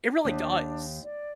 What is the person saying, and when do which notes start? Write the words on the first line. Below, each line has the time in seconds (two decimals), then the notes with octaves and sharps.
It really does.
0.25 D#2 D4
1.04 D5